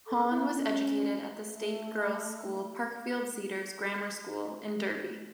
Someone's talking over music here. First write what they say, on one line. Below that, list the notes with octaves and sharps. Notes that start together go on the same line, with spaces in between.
Hann was educated at the state girls' school Parkfield Cedars Grammar School in Derby.
A4
E4
C#4
A3